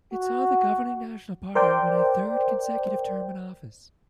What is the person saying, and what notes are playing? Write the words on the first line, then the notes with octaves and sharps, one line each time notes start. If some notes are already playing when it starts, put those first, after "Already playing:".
It saw the governing National Party win a third consecutive term in office.
F#4
A#4 C5 D5 G5